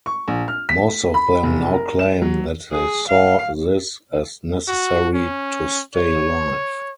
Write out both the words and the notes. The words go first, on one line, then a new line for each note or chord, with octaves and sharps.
Most of them now claim that they saw this as necessary to stay alive.
C#6
A#1
F6
B6
B5
F1
A#4
E7
F#3
G#4
F5
F#4
C#4
C#5